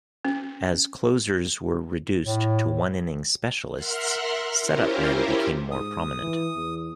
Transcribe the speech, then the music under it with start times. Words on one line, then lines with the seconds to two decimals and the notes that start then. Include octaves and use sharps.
As closers were reduced to one-inning specialists, setup men became more prominent.
0.25 C#4
2.23 A2
3.73 A#4 E5 F#5 C6 F6 F#6
4.60 C#4 E4 F4 G4 A#4 C5
5.72 G#2 D#6
6.21 E3
6.55 E2